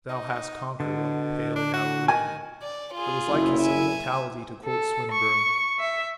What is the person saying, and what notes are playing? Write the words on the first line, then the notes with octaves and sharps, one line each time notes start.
"Thou hast conquered, O pale Galilean." It was like his sentimentality to quote Swinburne.
D#4
B2 D3
D4
F#4
D#3 G#5
D5
F4 G#4
F#1 E4
E5 G#5
A4
C#6
E5